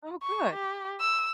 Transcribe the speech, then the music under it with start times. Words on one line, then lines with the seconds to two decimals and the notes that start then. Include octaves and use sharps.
Oh, good.
0.23 C#6
0.54 G4
1.01 E6